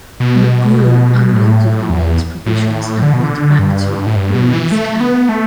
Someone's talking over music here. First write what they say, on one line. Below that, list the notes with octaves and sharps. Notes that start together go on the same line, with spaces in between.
McGrue unloaded the men's provisions and went back to Ouray's camp.
B2
A2
E2
A2
D3
B2
D3
G2
A2
G2
B2
E3
A3
B3
A3